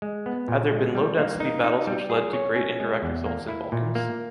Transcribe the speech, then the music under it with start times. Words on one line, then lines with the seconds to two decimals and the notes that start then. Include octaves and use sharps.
Had there been low-density battles which lead to great indirect results in Balkans?
0.02 G#3
0.26 B3
0.48 A#2
0.72 G#3
0.95 G3
1.18 A#3
1.40 D#4
1.64 D#4
1.87 G3
2.10 G#4
2.33 C#5
2.56 C#4
2.80 G#3
3.02 E2
3.26 A#3
3.49 E4
3.72 A#2
3.95 A#3